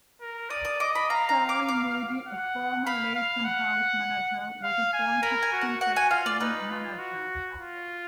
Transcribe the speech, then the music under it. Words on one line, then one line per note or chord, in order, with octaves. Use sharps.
Charlie Moody, a former Leyton House manager, was appointed Simtek's team manager.
A#4
D5 D#6
D#6
D#5 D6
B5
F5 A#5
A#5
D6
D6
F#5
F5 B5
F5
F#5
F5
G#5
A#4 B5
G#5
F#4
F#5
F#4 F#5
G#5
F4 F5
D5
D#4 B4
F4
F#4
F4